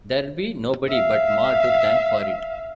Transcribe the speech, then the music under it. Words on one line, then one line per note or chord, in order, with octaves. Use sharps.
There'll he nobody but Ma to thank for it.
E5 F5